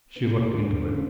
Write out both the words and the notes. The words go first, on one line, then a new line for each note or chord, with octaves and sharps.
She looked into it.
B3
D2
C#3